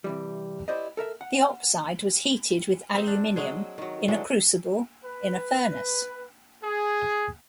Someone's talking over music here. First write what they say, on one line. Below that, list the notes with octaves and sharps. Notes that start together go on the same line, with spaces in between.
The oxide was heated with aluminium in a crucible in a furnace.
C3 E3 G3
E4 G4 C5 D5 D#5
A4 A#4 E5
F#5
C4 D#4
D4
F#3 G#3 G#4
D#3 F#3
D3 E3 F#3 G#3
B4
G#4